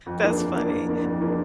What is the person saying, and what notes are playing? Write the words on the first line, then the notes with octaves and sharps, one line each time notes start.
that's funny,
F2
E3 A#3 D4
F2
E3 A#3 D4
F2
E3 A#3 D4
F2
E3 A#3 D4